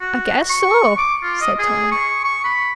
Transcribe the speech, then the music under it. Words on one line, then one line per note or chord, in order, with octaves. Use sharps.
"I guess so," said Tom.
F#4
C#6
D6
F4
D#5
G#4
C#6
C#6
B5